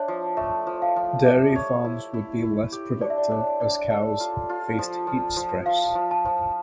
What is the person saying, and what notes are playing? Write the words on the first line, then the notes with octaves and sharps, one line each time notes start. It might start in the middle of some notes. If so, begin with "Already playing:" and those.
Dairy farms would be less productive as cows faced heat stress.
Already playing: D4 C#5 E5
F3
A3 E5
F3
F5
F3
G4 E5
C#5
E4
E4
E4
G4
D4 D5
E5
D5
D4 C#5
D4 D5
A4
F4
F4
F3
F3
F3
F3 F5
F3
A5
F3